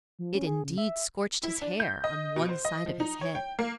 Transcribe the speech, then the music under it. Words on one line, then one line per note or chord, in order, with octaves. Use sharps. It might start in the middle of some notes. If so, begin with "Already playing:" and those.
It, indeed, scorched his hair on one side of his head.
F3
C#4
G#4
C#3
E5
E4
D4
G6
D#5
B2
C5
D#5
F3
D#4
C#5
G5
A#3